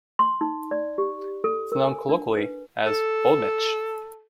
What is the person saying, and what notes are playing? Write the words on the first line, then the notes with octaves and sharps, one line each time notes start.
It is known colloquially as "Boul'Mich'".
C6
D#4
D5
G4
A4
A#4
G#5
D4
B4
A4